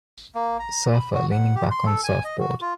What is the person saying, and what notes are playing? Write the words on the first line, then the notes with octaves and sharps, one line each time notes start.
Surfer leaning back on surfboard.
A#3
A#5
B5
F#4
F#5
G4
C6
A4
G#5
D#5
F#4
F4